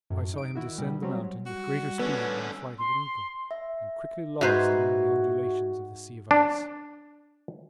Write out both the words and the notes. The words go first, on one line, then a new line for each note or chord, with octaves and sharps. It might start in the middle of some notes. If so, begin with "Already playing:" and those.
I saw him descend the mountain with greater speed than the flight of an eagle, and quickly lost among the undulations of the sea of ice.
F#2 A2
D#4 D7
D#3 E4 F#4
B2 G3
F#3 G3 C4 C#4
G3 F#4
D3 B3 C#4
C6
E5
G#2 F#4 B4 C5 E5 G#6
D4